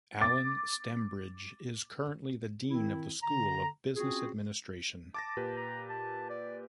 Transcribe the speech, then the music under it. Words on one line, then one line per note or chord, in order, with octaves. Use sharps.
Allen Stembridge is currently the dean of the School of Business Administration.
D6 A6
D#3 C4 E4
D3 A#5
C4 C#4 F4 F#4 G#4
A5 D6 A6 A#6
A#2 G4 B4
A#5
A5
D5